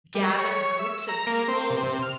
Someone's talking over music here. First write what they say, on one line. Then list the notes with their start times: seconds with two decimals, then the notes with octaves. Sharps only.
gather groups of people,
0.15 G3
0.39 C#5
0.79 E5
0.93 E6
1.08 A#5
1.27 A#3
1.48 C4
1.70 C3
1.84 C3
2.02 F6